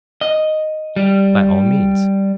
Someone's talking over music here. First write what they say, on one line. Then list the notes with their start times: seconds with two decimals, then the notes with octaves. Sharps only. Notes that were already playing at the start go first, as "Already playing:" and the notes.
By all means.
0.21 D#5
0.96 G3